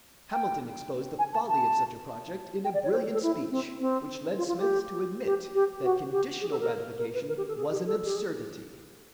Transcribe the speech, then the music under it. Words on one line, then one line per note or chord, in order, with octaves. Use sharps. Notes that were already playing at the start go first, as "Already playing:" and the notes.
Hamilton exposed the folly of such a project in a brilliant speech, which led Smith to admit that conditional ratification was an absurdity.
G5
G#5
A5
A5
G5
D5
C#5
C5
A4
E4
C4
C4
F4
F4
G4
G4
G4
F#4
G4
G#4
A4
A#4
A#4
B4
A#4
G4
A4
G#4
G4
A4
G4
G#4